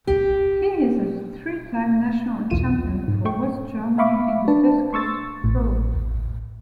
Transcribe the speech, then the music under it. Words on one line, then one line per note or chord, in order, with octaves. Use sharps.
He is a three-time national champion for West Germany in the discus throw.
G4
B1 E2 F4 D#7 E7
G#2
A3 G5 C#6
E5 F5 B5 C#6 D6
D4 B4 A5
C6 C#6 E6 A6
A1 A2